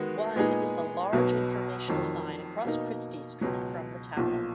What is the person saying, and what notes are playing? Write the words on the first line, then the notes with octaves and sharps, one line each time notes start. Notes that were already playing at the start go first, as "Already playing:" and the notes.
One is the large informational sign across Christie Street from the tower.
Already playing: D#3 G#3 B3 F#4
A#2 G#3 B3 D#4 G#4
B1 B2 F#3 B3
F1 F2 D#3 F#3
B2 A#3 D#4
C#2 B2 F#3
B1 A#2 F3